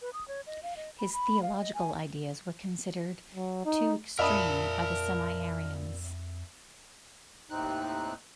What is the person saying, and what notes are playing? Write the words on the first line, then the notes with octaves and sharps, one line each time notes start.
His theological ideas were considered too extreme by the Semi-Arians.
B4
D#6
C#5
D#5
F5
D#5
B5
B5
F5
D#5
G#5
F#3
D#4
F2 A#2 A#4 E5 A5 B5 D#6
D#2 A2 C3 C4 D#4 F#6